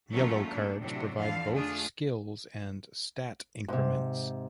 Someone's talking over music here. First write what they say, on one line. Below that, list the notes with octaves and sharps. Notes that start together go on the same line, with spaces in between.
Yellow cards provide both skills and stat increments.
D#3 F#3 A3 A#3 C#4 F4
A#2 C#3 D4
A2 C3 F#3 D4
F2 D3 E3 F5
A3 D4 F4 G#4
G#2 C3